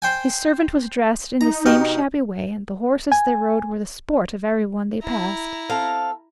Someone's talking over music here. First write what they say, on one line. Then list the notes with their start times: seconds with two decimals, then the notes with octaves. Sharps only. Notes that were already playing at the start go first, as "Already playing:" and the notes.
His servant was dressed in the same shabby way, and the horses they rode were the sport of everyone they passed.
0.02 C5 G5 G#5
1.41 D#4 A#5
1.66 B2 G4 A#4
3.12 G#5
5.03 E4 A#5
5.69 C4 A4 F5